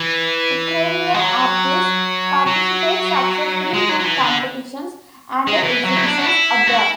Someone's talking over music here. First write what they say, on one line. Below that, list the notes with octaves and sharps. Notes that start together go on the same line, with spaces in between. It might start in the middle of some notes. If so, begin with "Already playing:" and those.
Ukrainian artists participate successfully in competitions and exhibitions abroad.
Already playing: E3
G#3
F#3
F#3
G#3
F#3
F#3
E3
D3
G#3
F#3
E3
F#3
E4
D4
F#4
E4
F#4
E4